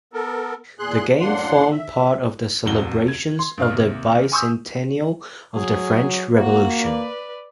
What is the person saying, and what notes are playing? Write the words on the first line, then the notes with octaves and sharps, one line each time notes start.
The game formed part of the celebrations of the bi-centennial of the French Revolution.
B3 A4 A#4
E2 A#2 G#4 C6 F#6
F#2 A2 A#3 D4 F#5 C6
E5
D#1 F2 F#4 G7
G#6
C6
G2 F5 F6
D#2 C3
G#5 C6 C#6 D#6 E6 G6
F#3 G#4
A#3 F#4 F#5
B4 D5